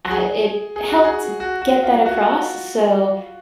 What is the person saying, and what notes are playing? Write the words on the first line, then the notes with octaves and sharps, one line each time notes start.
uh, it helped get that across, s so
F#4
G#4
G#4
F#4
G#4
F#4
F#4
F4
F#4